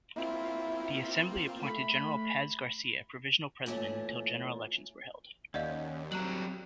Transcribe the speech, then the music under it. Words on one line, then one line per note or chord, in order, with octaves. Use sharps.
The Assembly appointed General Paz Garcia provisional president until general elections were held.
A#3 C4 E4 F4
A3 B5
A#2 E3 A3 C#4
D#2 C#4 D5 D#5 F5 F#5 G6
F#3 G3 C4 A#5 F#6 F#7